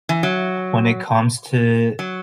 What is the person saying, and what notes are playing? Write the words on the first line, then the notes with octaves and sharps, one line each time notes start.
when it comes to
E3
F#3
F#3